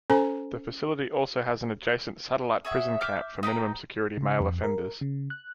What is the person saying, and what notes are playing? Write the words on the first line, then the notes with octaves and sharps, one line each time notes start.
The facility also has an adjacent satellite prison camp for minimum-security male offenders.
C#4 A4 C5 G#5 A#5
G#4 C#5 E5 F#5
E5 D6 F6 G6
D#4 B4 G5 A#5
C#3
F2
A#4
C#3
F#6